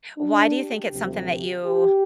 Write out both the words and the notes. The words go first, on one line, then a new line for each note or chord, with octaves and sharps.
Why do you think it's something that you
D4
G4
D2 C3 F3
G4